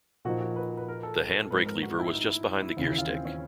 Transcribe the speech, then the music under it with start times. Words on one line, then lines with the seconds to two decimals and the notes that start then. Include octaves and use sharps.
The handbrake lever was just behind the gearstick.
0.25 A#2 F3 A#3 D#4 F#4
0.41 F#4
0.56 B4
0.77 B4
0.88 A#4
1.03 A4
1.51 G#2 F3 G#3 C4 B4
1.66 A#4
1.82 F#4
1.98 E4
2.14 D#4
2.30 E4
2.46 E4
2.62 E4
2.77 D#2 C#3 E3 F4
2.87 E4
2.98 F4
3.09 C4
3.25 C#4